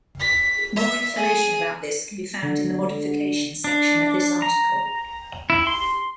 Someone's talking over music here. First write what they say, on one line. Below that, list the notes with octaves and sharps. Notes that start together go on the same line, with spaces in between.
More information about this can be found in the modification section of this article.
B6
E5
G#4
D3
D4
A#5
E4
C6